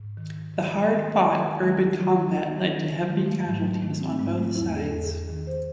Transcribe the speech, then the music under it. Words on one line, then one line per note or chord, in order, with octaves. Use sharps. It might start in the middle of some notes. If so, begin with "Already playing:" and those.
The hard-fought urban combat led to heavy casualties on both sides.
Already playing: G#2
D#3
D#3
D#3 G#3
D#3
D#3 G#3
D#3
D#3
D#3
F#3
D#3 G#3
G#3
A3
G#2 F#3
G#3
D#3 A3
C4
G#2 G#3
A3
E2 E4
G#4
A4
E2
G#4
D#3
C5